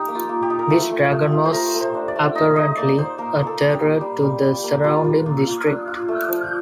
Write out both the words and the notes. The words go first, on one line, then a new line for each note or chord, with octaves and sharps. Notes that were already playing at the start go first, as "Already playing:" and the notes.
This dragon was apparently a terror to the surrounding district.
Already playing: D#4 G4
A#3
F4
A#3
G4
D#4
A#4
A3 A4
A3
A3
F4
C5
A3 A#4
A3
C5
D4
D5
A3
D#4 D#5
D#4 D#5
A#3 D5
D#4 C5
A#3 A#4
A#3
A4
A#3
G4
A#3
G3
G3
G3
A#3
G3 F4
F4
A#3
F4
D4
F4
A3
F3